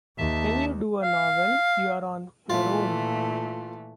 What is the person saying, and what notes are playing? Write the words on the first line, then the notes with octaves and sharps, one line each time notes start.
When you do a novel you're on your own.
D#2 E5 A5
F5
A#2 E3 A3 F4